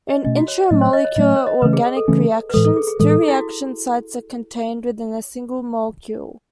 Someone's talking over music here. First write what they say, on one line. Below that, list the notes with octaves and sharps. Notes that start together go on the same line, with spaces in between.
In intramolecular organic reactions, two reaction sites are contained within a single molecule.
D#5
B2 A3 C#4 D#5
F#4
C#5
A2 F#3 A3 C#4 D#5
C#5
D#5
C#5
A2 F#3 A3 C#4 D#5
C#5
D#5
C#3 E3 A3 C#4 B4
G#4
G#4
A4
C#3 E3 A3 C#4
B4
A2 E3 G#3 A4
A4
G#4
G#4
A2 E3 G#3 A4
A4
G#4
E4
F#4